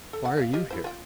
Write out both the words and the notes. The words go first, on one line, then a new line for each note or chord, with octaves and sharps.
"Why are you here?"
A4
F#5
D5 D#5 F5
F4 G4 D#5
E4 C5
F4 G5